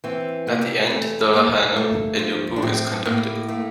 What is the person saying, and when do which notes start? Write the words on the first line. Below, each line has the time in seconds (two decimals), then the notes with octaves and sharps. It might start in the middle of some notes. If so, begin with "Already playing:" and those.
At the end the Vahanam eduppu is conducted.
0.04 E3 C4
0.47 C3 A#3
0.90 E2 A3
1.33 G3 A#3
1.76 A3
2.19 F3
2.56 D4
2.62 A2 C4
3.05 A2 A#3
3.49 A3 A#3